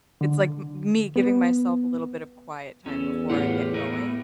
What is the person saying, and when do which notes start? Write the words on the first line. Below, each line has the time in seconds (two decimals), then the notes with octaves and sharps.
It's like m me giving myself a little bit of quiet time before I get going.
0.21 D3
1.16 B3
2.86 E2 C#4 A4
3.30 A2 F4 G4 F#5
3.74 A3 B3 A#4